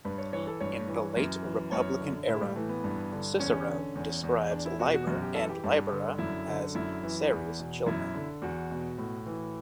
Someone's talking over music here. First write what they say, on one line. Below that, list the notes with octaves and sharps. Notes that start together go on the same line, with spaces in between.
In the late Republican era, Cicero describes Liber and Libera as Ceres' children.
G2 B4
C#5
E3 C#5
A4
G2 C#5
E3
F#2
E3
F#2 C#5
D3
A2 E4
G3
E3 A3
B3
G2
D3
E2 C#4
D3
E2
E2
E2 D4
E4
B2 F#4
F#4
F#2 F#4
G4
E3 A4
G4
G2
D3
F#2 E4
D3
F#2 E4
E3
E2
B2
F#2 E4
D3
E2 F#4
B2
A2
E3